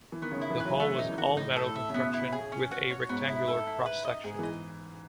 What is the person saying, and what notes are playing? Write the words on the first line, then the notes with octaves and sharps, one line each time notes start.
The hull was an all-metal construction with a rectangular cross-section.
E3
D#3 B3
C#3
D#3
E4
E3
B4
F#3
A3
D#3 D#4
E3
D#3
C#3 F#4
A2 D#4
A4
A2
E5
C#3
B2 B3
E4
G#4
C#4
F#4
C#5
G#2 B3
E4
A4
E4
B4
D#5
G#2 G#4
E3 D#5